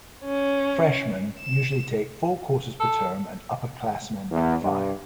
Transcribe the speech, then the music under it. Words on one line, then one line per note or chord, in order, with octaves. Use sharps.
Freshmen usually take four courses per term and upperclassmen five.
C#4
E7
A4
E2
G2